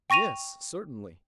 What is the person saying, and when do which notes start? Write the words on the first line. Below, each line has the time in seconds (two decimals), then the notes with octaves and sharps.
Yes, certainly.
0.10 G5 C#6 A#6 D#7 F7